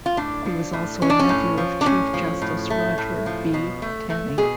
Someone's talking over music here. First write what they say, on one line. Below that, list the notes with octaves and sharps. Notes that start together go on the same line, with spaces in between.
He was also a nephew of Chief Justice Roger B. Taney.
F4
A2 D4
F3
A2
G#3 C#4
D4
C#4
A2
F3
D4
A2 C#4
F3
A2
A3
A2
F3
B2
A3
A3
B2 G#4